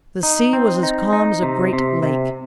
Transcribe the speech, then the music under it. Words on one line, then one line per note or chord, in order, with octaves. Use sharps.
The sea was as calm as a great lake.
D#4
C4
D#4
D#4
C3
C3
C3